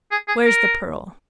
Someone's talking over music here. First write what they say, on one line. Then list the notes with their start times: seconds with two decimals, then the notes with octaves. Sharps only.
Where's the Pearl?
0.11 G#4
0.28 G#4
0.45 A#4